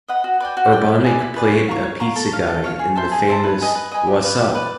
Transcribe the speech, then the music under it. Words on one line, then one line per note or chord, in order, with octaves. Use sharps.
Urbaniak played a pizza guy in the famous Whassup?
B4 D#5 F#5
F#4
B4 D5 G5
F#4
B4 D5 G5
E4
G#4 B4 D5
E4
G#4 B4 D5
C#5
F5 A#5 C#6
C#5
F5 A#5 C#6
A4
C#5 F5
A4
C#5 F5
G#4
C5 E5 A5
G#4
C5 E5 A5
B4
D#5 G#5 B5
B4
D#5 G#5 B5
G4
B4 D5
G4
B4 D5